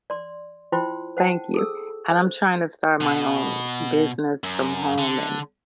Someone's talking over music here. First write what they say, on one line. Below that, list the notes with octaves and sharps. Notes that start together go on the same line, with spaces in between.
Thank you. And I'm trying to start my own business from home and,
D5 C6
E4 F4 C5 G5 C6
C5 F#5 G5 A5
G#4 A4 E6
C5
B2
F#2
D3